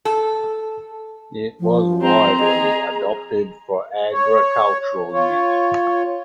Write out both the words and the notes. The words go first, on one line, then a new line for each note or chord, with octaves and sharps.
It was widely adopted for agricultural use.
A4
F3
C4 C5 A#5
G#4 D#5
C#5
F4 C#5